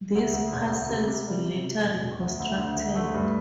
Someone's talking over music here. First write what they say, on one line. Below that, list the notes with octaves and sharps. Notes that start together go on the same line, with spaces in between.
These parcels were later reconstructed.
D2
D2
E1
D2
C3
C3
G3
C3
C3
E1
E1
D2
D2
D3
D2
A3
G2